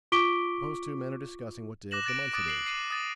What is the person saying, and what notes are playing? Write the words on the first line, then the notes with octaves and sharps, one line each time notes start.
Suppose two men are discussing what day of the month it is.
F4 C#6 D6 B6 D7 G7
D6 F#6 A#6 E7 F#7
D6 F#6 A6 A#6 D7
D6 D#6 F#6 A6 D7 E7
C7 F#7
C7 D#7
D#6 A6 D#7